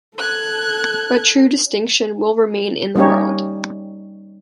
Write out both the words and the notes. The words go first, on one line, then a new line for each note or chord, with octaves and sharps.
But true distinction, will remain in the world.
A4 F#6 G#6
G3 A#3 C#4 D#4 G4 C#5